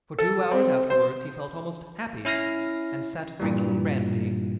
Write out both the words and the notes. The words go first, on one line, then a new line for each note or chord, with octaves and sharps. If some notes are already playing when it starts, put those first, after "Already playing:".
For two hours afterwards he felt almost happy, and sat drinking brandy.
A4
C4
C5
C#4 E4 F6 A#6 C7
G2 A#2 E3 G3